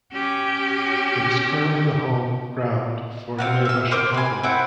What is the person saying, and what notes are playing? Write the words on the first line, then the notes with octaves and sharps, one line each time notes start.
It is currently the home ground for Nueva Chicago.
C#4 G4
C4 F5 F#5
E5 E6
A#4 C5 C6 D6
B4 G#5
C4 E4 F#5